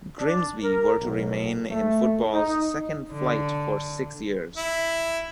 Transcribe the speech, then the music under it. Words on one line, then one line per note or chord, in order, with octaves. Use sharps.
Grimsby were to remain in football's second flight for six years.
D4
A#4
B1
A3
D#4
D3
E4